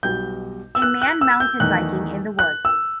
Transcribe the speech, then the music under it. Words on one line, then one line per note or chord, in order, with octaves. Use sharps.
A man mountain biking in the woods.
B1 B2 G3 G6
E6
F#6
F#6
E6
G6
E2 D#3 A3 D#4 F#6
F#6
E6